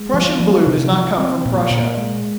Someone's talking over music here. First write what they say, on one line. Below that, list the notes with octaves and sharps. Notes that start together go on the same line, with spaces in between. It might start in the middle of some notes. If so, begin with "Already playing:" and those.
Prussian blue does not come from Prussia.
Already playing: G#3
F3
F3
C3
F3
C4
A#2
A#2
G#3